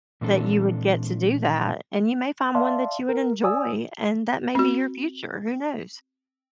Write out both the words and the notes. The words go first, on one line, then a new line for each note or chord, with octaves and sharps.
that you would get to do that, and you may find one that you would enjoy, and that may be your future. Who knows?
A#2 E3 G#3 C4 D4 A4
D5 E5 F5 A5 C6
A#4
D5 G#5 D#6 E6
C4 F#4